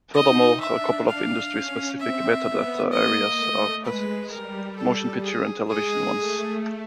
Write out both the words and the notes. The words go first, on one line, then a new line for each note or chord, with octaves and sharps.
Furthermore, a couple of industry-specific metadata areas are present: Motion-Picture and Television ones.
D#4 D#5
D4 E5
F5
C#4
C4 E5
B3
A#3 D#5
A3
G#3 B4
G3 A#4
A4
G#4
G#3 G#4
A3